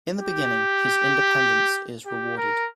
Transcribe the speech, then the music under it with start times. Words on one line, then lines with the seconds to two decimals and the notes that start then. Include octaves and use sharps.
In the beginning, his independence is rewarded.
0.20 G4
2.06 G4
2.37 A#4